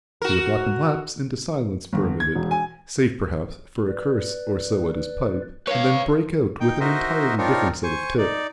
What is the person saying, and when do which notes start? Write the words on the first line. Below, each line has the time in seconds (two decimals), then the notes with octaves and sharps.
He would lapse into silence for a minute, save perhaps for a curse or so at his pipe, and then break out with an entirely different set of tips.
0.22 F#4 A#4
1.93 G1
2.20 G#6
2.35 E1
2.51 G#5
3.87 B4 D5
5.67 B4 C#5 F5
6.60 D#4 G5
6.80 D#4 F#4 A#4 C5 D#5 E5
7.38 C4 D4 D#4 F4 A#4 C#5
7.83 C5 G#5 C#6
8.18 D#4 D5